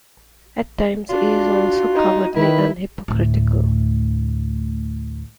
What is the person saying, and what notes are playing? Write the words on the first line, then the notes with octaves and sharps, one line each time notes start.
At times, he is also cowardly and hypocritical.
D4 F4 F#4
D#4
D#3 E4 B4
D2 A2